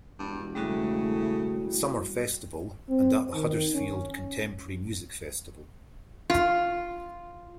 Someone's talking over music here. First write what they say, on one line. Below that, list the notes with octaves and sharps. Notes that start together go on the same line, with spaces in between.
Summer Festival and at the Huddersfield Contemporary Music Festival.
E1 G2
C#3 G3 A3 E4 F#4
C4
D#3
C#4
F4